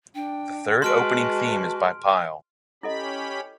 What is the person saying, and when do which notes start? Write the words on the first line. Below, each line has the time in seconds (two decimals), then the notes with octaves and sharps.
The third opening theme is by Pile.
0.15 D4 G5
0.82 G#3 F#4 B4 A5 C6 F6 D7
2.83 C#4 E4 G4 A4 D#5 B5